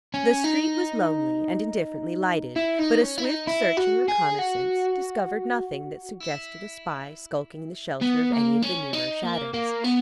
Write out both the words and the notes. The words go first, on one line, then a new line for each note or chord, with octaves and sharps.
The street was lonely and indifferently lighted, but a swift searching reconnaissance discovered nothing that suggested a spy skulking in the shelter of any of the nearer shadows.
C#4
D#4
E4
D#4
C#4
E4
D#4
E4
F#4
G#4
F#4
E4
B3
A#3
C#4
D#4
A#3
A#3
B3